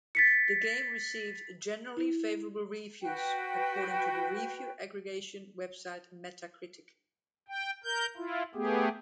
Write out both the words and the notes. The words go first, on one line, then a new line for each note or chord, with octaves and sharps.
The game received "generally favourable reviews" according to the review aggregation website Metacritic.
A6 B6 C#7
E4
F#4 B4 G5
G5
A#4 G6
E4 F4
A3 B3 G4 G#4